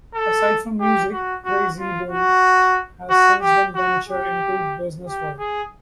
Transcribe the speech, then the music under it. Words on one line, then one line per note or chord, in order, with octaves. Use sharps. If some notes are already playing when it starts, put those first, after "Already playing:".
Aside from music, Krayzie Bone has since then ventured into the business world.
A4
G4
F#4
F#4
F4
F#4
F#4
G4
F#4
G4
G4
G#4